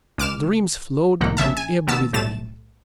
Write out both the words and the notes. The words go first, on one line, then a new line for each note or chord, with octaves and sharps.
Dreams flowed and ebbed within him.
C#2 D6 F6 E7
C2 A2 D#3 F3 A#3 F#5
A#1 C#3 E5 A5
G#5
D#2 B3 F#4 A5 E6
B1 A2 G3 A3 A6 E7